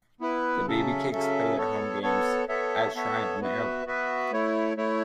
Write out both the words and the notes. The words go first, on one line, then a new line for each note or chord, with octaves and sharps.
The Baby Cakes play their home games at Shrine on Airline.
B3 E4 B4
C#3 F#3 C#4 A4 E5
C#3 F#3 C#4 A4 E5
B3 A4 C#5
B3 A4 C#5
B3 A4 C#5 E5
B3 A4 C#5 E5
B3 F#4 B4 E5
B3 F#4 B4 E5
A3 E4 C#5
A3 E4 C#5